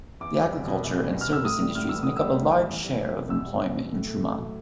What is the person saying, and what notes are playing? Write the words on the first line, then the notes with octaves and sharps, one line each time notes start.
The agriculture and service industries make up a large share of employment in Trumann.
E2 D6
G3
E2
B2
E2
G3
E2
F6
B2 E6
A2 D#6
G3
A2 F6
E3 E6
A2 D#6
E6
G3
A2
E3
E2
G3
E2
B2
E2 E6
G3
E2
B2
A2
A3
A2
F#3